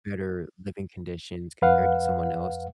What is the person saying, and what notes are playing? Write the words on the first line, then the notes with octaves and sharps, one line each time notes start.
better living conditions compared to someone else,
F2 B4 F5 F#5